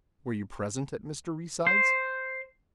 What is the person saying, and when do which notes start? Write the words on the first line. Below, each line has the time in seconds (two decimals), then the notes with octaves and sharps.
"Were you present at Mr. Reeside's?"
1.67 C5